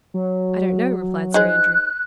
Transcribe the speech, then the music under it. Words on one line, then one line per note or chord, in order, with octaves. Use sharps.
"I don't know," replied Sir Andrew.
F#3
D#4 G#4 C5 F#6